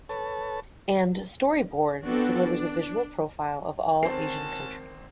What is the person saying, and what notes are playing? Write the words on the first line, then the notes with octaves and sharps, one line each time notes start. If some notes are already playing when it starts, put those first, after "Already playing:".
And "Story Board" delivers a visual profile of all Asian countries.
A4 B4 C#5 A5
B3 C4 D4 F#4 A4
D4
G#1 C4 C#4 F#4 A#4 C5 A5 C7